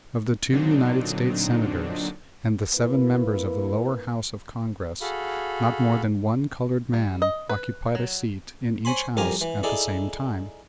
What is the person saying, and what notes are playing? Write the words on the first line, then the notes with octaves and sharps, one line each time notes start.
Of the two United States Senators and the seven members of the lower house of Congress not more than one colored man occupied a seat in each house at the same time.
A#2 D3 F#3 C4 D4 D#4
A#3 E4 B4
F#4 G#4 A4 F5 B5
G3
D#5
B4
F#3
C5 C#5 G#5 B5 C6
C2 F2 G4 A#4 G#5 A#5
E3
D#4 E4 G#4 A4 D5